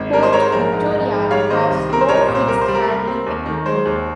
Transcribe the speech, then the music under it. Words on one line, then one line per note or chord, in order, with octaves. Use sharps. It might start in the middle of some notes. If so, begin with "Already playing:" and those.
Port-Victoria has no fixed handling equipment.
Already playing: G#1
G3 A#4
C5
G#2 A#4 C#5
C5
A#1 A#4
G#2
A#1
G#2
G3 C#5 F5
D#3 C5 D#5
C2
C4 A#4
C5
C2 A#4 C#5
C5
A#2
C5
C2 A#4
C5
G3
A#4
C2
C4
D#2
D#3
G#3 C5
D#2